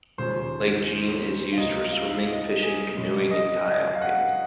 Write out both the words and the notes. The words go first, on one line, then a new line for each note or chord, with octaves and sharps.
Lake Jean is used for swimming, fishing, canoeing and kayaking.
D#2 C#3 F3 C5
F5
C#2 C3 F3 A#3 D#5
F5
D#5
G#4
F#2 C#3 G#3
D#5
D#5
F5
F#5